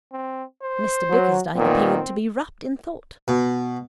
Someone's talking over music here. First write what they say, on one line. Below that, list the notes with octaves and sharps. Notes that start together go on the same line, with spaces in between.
Mr Bickersdyke appeared to be wrapped in thought.
C4
C5
F#3
A#2 D#3 B3 C4
B2